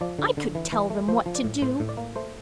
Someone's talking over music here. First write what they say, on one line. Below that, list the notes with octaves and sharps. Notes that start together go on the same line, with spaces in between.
"I could tell them what to do."
F3 D5
D3
D3
E3
E3
A3
F3 C5
F3
D5
A2
A2 C5
A2
D5
A#3
A3 C5